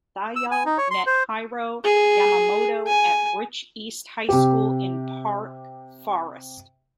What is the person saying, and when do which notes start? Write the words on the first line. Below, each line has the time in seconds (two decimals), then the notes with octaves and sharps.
Thayil met Hiro Yamamoto at Rich East High School in Park Forest.
0.36 E6
0.51 G#5
0.66 D#4
0.78 C#5
0.91 C6
1.06 C5
1.84 G#4
2.87 G#5
4.29 C3 G4